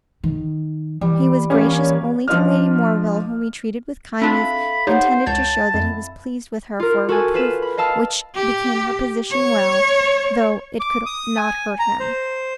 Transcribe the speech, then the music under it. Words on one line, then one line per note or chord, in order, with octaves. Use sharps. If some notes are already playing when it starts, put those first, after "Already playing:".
He was gracious only to Lady Morville, whom he treated with kindness, intended to show that he was pleased with her for a reproof which became her position well, though it could not hurt him.
D#3
E3 G3
G3 A#3 C#4
F3 D4 F4 D#5 F6
C4 D4 F4 A4 E5 F5 B5
D#4 G4 C5 C#5 F#5
C#2 C#5 A5 G6
F2 E4
F4 A#4
F#4 A4 G#5
F4 B4 E7
B5
D#5 F5 A5 E6
G4
C#5
D6
D#6
G#5
A#5
C5